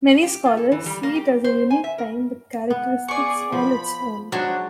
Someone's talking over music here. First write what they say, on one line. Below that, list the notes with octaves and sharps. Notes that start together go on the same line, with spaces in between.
Many scholars see it as a unique time with characteristics all its own.
G4
F4
A4
E3
G3
A#3
G4
C5
G#5
E5
A#4
B3
G#4 D5 C#6
F3 B5
F#3 G#3 D4 F#4 C5 C#5